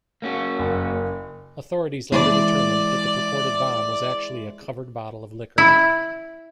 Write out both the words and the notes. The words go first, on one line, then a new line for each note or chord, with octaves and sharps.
Authorities later determined that the purported bomb was actually a covered bottle of liquor.
A#3 C#4 F#4
F#1
E3 G#3 D5
E4